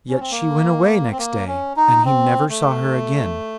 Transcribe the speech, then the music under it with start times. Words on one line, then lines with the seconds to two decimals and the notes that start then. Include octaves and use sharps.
Yet she went away next day, and he never saw her again.
0.09 C#4
0.20 C4
0.31 A#3
1.11 C4
1.18 A#3
1.47 C#4
1.76 D#4
2.05 C4
2.50 A3